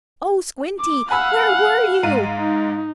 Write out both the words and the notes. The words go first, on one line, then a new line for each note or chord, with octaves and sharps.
"Oh, Squinty, where were you?"
D6
F5 F#5 G#5 B5 E6
G#2 F5 D#7
D#4